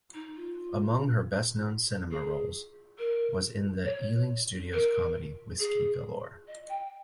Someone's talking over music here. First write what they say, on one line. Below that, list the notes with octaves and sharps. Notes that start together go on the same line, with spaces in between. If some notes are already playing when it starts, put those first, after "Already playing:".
Among her best-known cinema roles was in the Ealing Studios comedy Whisky Galore!
D#4
F4
G#4
A#4
C#5
A#4
G#4
D#5
G5